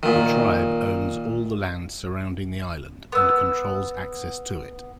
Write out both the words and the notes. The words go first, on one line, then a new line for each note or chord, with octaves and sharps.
The tribe owns all the land surrounding the island and controls access to it.
A#2 D#3
B3 E6